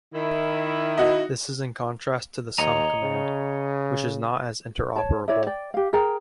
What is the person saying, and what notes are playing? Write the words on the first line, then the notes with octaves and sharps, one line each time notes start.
This is in contrast to the sum command, which is not as interoperable.
D#3 E4
D#4 F#4 D#5
D#2 C#5 D#5 A#5
C#3
C#5 A5
E4 C#5 D5 E5
D5 G5
G4 F5
G#4 A#4 G5 A#5